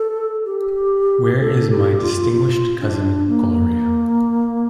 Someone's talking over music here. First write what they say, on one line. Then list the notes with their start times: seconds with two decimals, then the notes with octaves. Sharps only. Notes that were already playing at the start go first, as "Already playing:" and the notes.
Where is my distinguished cousin Gloria?
Already playing: A4
0.45 G4
1.39 A4
1.70 G4
2.01 F4
2.33 F4
2.81 D4
3.28 A#3